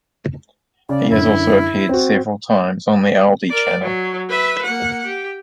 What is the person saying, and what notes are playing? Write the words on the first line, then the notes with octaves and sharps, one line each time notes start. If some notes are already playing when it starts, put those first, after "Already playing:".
He has also appeared several times on the Audi Channel.
C#3 D5
F#2 D3 E4
C4 F#4
A#4 D5
F#3
B4 E5
A#3 F#5
G4